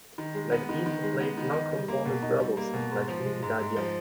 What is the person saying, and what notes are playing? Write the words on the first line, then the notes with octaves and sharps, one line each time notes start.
Like Dean, he played nonconformist rebels, and like him he died young.
D#3
G#3
B3
D#3
D#3
G#3
B3
D#3
D#4
G3
A#3
B2
D#4
G3
A#3
B2
G#2
F3
G#3
G#2
G#2
F3